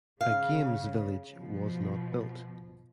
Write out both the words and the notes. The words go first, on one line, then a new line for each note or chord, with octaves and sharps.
A games village was not built.
C#3 F5
B2 F3